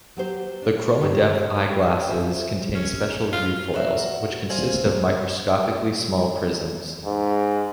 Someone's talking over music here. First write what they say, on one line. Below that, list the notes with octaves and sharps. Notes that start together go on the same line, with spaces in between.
The ChromaDepth eyeglasses contain special view foils, which consist of microscopically small prisms.
F#3 G4 C5
D4
G2 G4
F#2 C5 E5 G#5
C#4
F4
F#4 E5
C4 F5 G#5
G#2